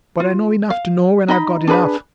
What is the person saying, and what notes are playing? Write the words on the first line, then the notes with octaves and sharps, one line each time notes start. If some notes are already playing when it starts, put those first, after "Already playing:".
But I know enough to know when I've got enough.
F4
F5
D#4 D#5 B5
D4 G#4 B4 B5